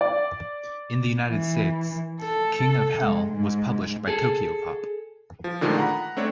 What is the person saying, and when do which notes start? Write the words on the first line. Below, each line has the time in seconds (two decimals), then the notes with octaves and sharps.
In the United States, "King of Hell" was published by Tokyopop.
0.01 D5
1.27 E3
2.21 A4
3.01 G#3
3.32 G#2
4.08 G#4 A4
5.44 F3
5.61 A#2 D3 D#3 F3 G#3 A3
5.78 F#5 A#5 B5
6.17 A3 C4 D4 C#5